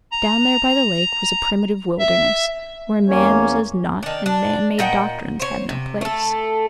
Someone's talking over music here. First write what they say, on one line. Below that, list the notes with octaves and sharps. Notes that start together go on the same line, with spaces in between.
Down there by the lake was a primitive wilderness where man was as naught and man-made doctrines had no place.
A#5
E5
E2 A#3 C#4 C#5
D#3 D4
D4
A#2 D#4 F#5 G5
C5 C#5
C3
A3 A4